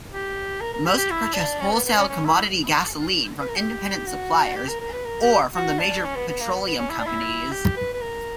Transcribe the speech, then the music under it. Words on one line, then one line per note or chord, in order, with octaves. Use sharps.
Most purchase wholesale commodity gasoline from independent suppliers or from the major petroleum companies.
G4
A#4
A#4
G4
G4
E4
D4
C#4
B3
B3
C#4
C#4
E4
B4
A#4
G4
F#4
G4
A#4
A#4
B4
A#4
G4
F#4
D4
C#4
B3
B3
A#3
B3
B3
C#4
E4
D4
E4
G4
B4
B4
A#4